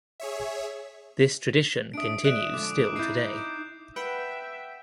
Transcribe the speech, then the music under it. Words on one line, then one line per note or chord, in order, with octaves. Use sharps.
This tradition continues still today.
G#4 C#5 E5
D4 E5 D#6 D7
D5 E5 F#6 D7 E7
D3 F3 G#3 D6
D#2 D#4
D#4 E4 G6 C7
B4 E5 F#5 G5